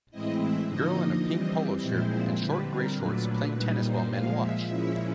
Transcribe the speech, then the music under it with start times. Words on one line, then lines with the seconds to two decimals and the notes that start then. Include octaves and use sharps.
Girl in a pink polo shirt and short gray shorts playing tennis while men watch.
0.10 A2 E3 G#3 C4 E4 D#5
0.39 E5
0.67 D3 F3 A#3 D#4 D#5
1.25 E3 G3 C4
1.81 A#2 F3 G#3 C4 E4 C5
2.38 D3 G3 C4 B4
2.67 A#4
2.95 A#2 F#3 A3 D4 B4
3.24 B4
3.52 A#2 G3 A#3 D#4
3.81 C5
4.09 A#2 F3 G#3 F5
4.37 E5
4.66 A#2 F3 G#3 C#4 E4